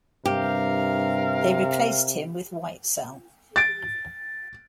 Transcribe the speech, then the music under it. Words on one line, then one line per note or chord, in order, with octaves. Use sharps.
They replaced him with Whitesell.
G2 C3 G4 A#4 F5
A6 D7